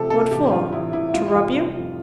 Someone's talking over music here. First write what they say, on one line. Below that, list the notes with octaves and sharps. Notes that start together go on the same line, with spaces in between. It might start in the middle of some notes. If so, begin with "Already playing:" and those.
"What for--to rob you?"
Already playing: C3 F3 A3 G4 A4
C3 A4
A1 G4
G2 F4
A1 E4
A1 E4
G3 F4
F1 F4
F1
F2